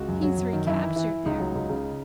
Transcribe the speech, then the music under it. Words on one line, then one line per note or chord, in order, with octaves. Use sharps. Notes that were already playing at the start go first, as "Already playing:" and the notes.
He's recaptured, there!
Already playing: C#2 F#4
F#2
F#3
F#2
D#3
F#2 E4
E3
E3
E3
C#2 D#4
F#3
C#2
C#3